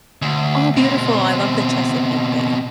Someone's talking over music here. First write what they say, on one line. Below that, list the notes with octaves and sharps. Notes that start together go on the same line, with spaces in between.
Oh, beautiful. I love the Chesapeake Bay.
D2
B2 C4